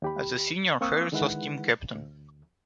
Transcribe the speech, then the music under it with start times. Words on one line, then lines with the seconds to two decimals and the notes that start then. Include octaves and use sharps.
As a senior, Harris was team captain.
0.02 D#2 G4 B5
0.81 A#3 C4 F5 C#6 D#6 E6
1.12 D3 D#3 G#3 E4 B4 F#5
1.95 D2